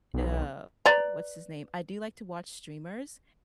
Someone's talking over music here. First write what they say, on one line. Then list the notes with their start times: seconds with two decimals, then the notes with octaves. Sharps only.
uh, what's his name? I do like to watch streamers.
0.14 B1
0.86 B4 D5 A#5